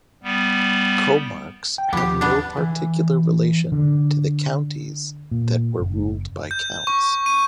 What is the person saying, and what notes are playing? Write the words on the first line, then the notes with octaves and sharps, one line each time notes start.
Comarques have no particular relation to the "counties" that were ruled by counts.
G3 B3
G5
D#2 F3 B3 G4 D6
B3 D4
E3
D3
A#2
F#1
G6
C#6
D#7